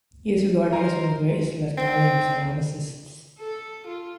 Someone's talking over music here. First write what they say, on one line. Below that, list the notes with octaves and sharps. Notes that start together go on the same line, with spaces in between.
He is regarded as one of the greatest Latgalian ceramicists.
D#4 A#4 C5 G#5 A#5
C4
A4
F4